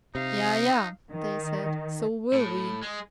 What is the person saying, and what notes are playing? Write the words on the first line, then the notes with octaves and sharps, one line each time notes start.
"Yea, yea," they said, "so will we."
C3 D#4 F5
D#3
A2
G#3